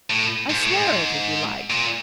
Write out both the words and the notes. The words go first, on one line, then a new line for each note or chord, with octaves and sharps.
I swear it, if you like.
A2
G#2
A2
G#2
A#2